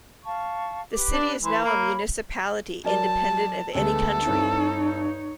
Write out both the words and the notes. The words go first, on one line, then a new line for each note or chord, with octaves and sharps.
The city is now a municipality independent of any county.
F5 A5 C#6
G4 B4 D6
D4
E3 C5 C6
A#3 C#5 B5
F#3 A#4 D5 A5
D2 G#3 A3 B3 A4
G2 C4 D#4 E4 C#5